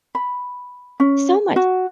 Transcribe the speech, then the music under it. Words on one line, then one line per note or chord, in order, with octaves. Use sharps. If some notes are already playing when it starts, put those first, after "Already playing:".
so much.
B5
C#4
F#4